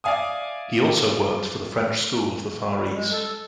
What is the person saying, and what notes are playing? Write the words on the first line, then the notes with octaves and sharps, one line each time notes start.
He also worked for the French School of the Far East.
D5 E5 F5 G#5 D#6
G3
G#3
A4